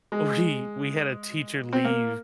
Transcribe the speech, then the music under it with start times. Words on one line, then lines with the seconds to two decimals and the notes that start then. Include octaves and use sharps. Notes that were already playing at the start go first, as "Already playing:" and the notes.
We we had a teacher leave,
0.12 G#3
1.73 C4
1.85 A#3